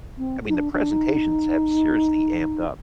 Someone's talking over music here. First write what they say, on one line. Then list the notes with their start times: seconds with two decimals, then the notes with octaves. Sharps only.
I mean, the presentations have seriously amped up.
0.18 C4
0.49 D#4
0.54 D4
0.73 D4
0.91 D#4